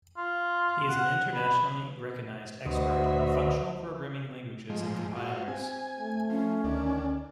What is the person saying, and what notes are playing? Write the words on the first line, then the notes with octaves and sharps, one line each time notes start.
He is an internationally recognized expert on functional programming languages and compilers.
F4
F#5
B4
D2 F#4 B4 C5 D#5 E5
G#2 F3 G#3
F4 F#4
C4 G#5
A3
F3 C#4
D2 D#3 D4